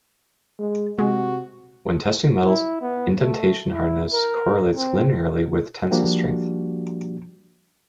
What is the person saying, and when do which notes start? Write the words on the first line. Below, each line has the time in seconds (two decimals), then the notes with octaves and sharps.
When testing metals, indentation hardness correlates linearly with tensile strength.
0.59 G#3
0.99 C3 G#3 F#4
2.43 E4
2.82 B3
3.19 A3
3.72 E4
4.13 A#4
4.75 C4
5.91 F3 G3 A#3 D4 F#4 G4